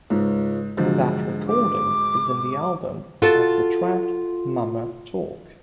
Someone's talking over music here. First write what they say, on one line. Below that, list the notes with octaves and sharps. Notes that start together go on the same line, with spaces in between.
That recording is in the album as the track "Momma Talk".
C#2 G#2
G#2 D3 F3 F#3
D6
F4 F#4 A4